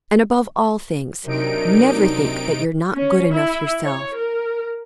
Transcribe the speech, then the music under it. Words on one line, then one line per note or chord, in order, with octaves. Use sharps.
And, above all things, never think that you're not good enough yourself.
C3 F#3 D4 D#4 A#4 D7
C#4
E4
C#5
A#4